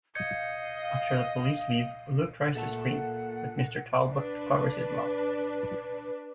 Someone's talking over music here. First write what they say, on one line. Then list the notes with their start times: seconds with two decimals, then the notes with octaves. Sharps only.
After the police leave, Luke tries to scream, but Mr. Talbot covers his mouth.
0.15 D#5 F5 G6 G#6 C#7
2.55 A#2 A4 E5 F#5 A5
4.10 D4 B4